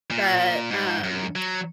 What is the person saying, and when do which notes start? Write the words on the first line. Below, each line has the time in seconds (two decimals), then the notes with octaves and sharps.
but, um,
0.11 A#2
0.71 G#2
1.04 F#2
1.36 F#3